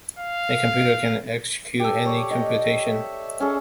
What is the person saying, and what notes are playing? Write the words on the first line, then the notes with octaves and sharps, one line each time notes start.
A computer can execute any computation.
F5
G4 A4
C#5 D5
D#5 G5
E5
C#4 G#4 A4